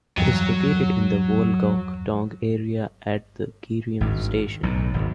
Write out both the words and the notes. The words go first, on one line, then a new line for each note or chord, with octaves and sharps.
It is located in the Wolgok-dong area at Gireum Station.
E2 G2 F#3
G#1 G2
B1 A2
G#1 D#2